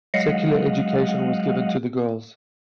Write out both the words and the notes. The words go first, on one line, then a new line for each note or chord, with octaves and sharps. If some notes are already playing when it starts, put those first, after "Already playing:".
Secular education was given to girls.
F#3 G#3 D#5 F5 F#5